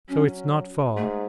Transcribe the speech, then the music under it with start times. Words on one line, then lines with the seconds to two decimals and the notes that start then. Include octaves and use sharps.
"So it's not far?"
0.09 F#3 C#4
0.96 G#2 A3